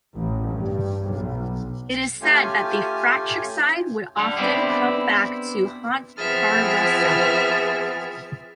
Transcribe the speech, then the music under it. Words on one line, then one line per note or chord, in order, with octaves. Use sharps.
It is said that the fratricide would often come back to haunt Caracalla.
A1
G2
B1
A3 C#4 F4 G4 G#5
D3 G3
B3 C4 D4 E4 G4 G#4
E3 F3 B3 C4 G#4 E5 F6 A6